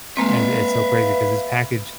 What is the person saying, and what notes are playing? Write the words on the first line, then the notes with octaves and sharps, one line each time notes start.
I'd it's so crazy 'cause his package,
G#3 A#3 C4 B4 E5 F5